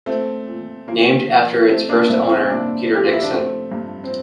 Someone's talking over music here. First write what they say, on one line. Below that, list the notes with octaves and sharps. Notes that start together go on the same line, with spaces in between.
Named after its first owner Peter Dixon.
A3 C4
A#2
A#2 A#3
F3
A3 C4
A#3 D4
G2 C4 E4
C4 E4
G2 A#3 D4
F3 G4
F4
E4
D4
A3 C4
G2
C4